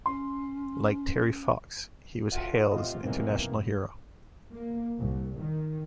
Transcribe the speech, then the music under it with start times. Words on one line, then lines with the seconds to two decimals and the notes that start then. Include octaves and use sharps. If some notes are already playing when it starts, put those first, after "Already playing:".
Like Terry Fox, he was hailed as an international hero.
0.06 C#4 C6
2.32 D3 F#3 F4 E5 F#5
2.71 A2 C3 F4 D#5
3.03 F1 B1 G#2 D#3 E3 G#3 A#3 C4
3.47 F#2 G3
4.52 A#3
4.98 C2
5.39 D#3